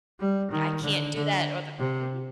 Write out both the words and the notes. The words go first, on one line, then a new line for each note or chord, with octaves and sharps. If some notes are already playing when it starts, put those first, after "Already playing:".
I I can't do that, or the mhm.
G3
D#3
D3
D3
C3